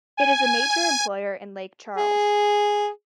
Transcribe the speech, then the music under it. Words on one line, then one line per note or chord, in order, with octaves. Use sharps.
It is a major employer in Lake Charles.
G#5
G#4